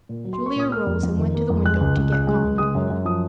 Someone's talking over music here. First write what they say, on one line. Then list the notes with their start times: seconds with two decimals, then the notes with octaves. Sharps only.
Julia arose and went to the window to get calmed.
0.09 A#2
0.25 F#3
0.33 C6
0.41 A#3
0.46 C#6
0.56 A#2 D#6
0.71 A#3 F6
0.87 F2
1.03 F2
1.18 D#3
1.35 A#3
1.50 F2
1.65 G#3 F#6
1.81 C#2
1.97 C#2
2.12 C#3 F#6
2.27 G#3
2.44 C#2
2.58 G#3 D#6
2.75 F#2
2.90 F#2
3.05 F3 D#6